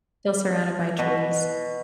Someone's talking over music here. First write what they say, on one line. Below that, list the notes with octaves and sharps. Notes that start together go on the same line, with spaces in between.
Still surrounded by trees.
B2